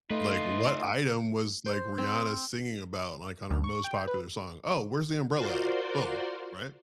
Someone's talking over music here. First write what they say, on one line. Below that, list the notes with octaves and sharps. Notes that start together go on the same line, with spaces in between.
Like, what item was, like, Rihanna singing about, like, on her most popular song? Oh, where's the umbrella at? Boom. Right?
A3 D#4 F4 B4 C6
C5
C4
D2
C#6
G5
B4
F4 F#4 A#4 C5 D5 C6